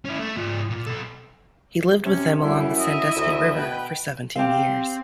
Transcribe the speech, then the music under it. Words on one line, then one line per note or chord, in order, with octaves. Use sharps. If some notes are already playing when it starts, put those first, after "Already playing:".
He lived with them along the Sandusky River for seventeen years.
C#4 E4
A3
G#2 F4
A#2
B1 A4
C3 C#4
F#2 G3 E4
D#5 E5
D2
B2 B4 G5
C4 G4 F5